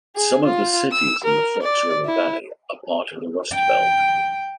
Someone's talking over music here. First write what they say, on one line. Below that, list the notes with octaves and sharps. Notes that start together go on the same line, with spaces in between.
Some of cities in the Fox River Valley are part of the Rust Belt.
G#4
F4
E6
A#4
D5
E4
G5